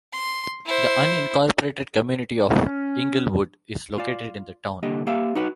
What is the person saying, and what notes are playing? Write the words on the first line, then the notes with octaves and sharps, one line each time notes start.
The unincorporated community of Englewood is located in the town.
C6
E4 C5
C#4
F4 D5
C2 D3 A#3 G4 D#5
A#3 G4 E5 F5
D#4 F#4 B4 F#5